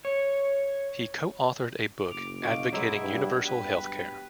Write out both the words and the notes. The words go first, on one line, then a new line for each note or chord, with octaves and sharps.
He co-authored a book advocating universal health care.
C#5
F#1 D6 F7
B2 F5 C#6 D6
F#3 G#3 B3 E4 G#4 E6
G2
G2 B4 G5